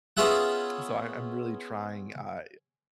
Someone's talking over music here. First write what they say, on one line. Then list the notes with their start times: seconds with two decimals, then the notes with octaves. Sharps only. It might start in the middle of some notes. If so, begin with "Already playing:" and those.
so, I I'm really trying, uh,
0.17 B3 C#4 F4 G#4 E5 F#5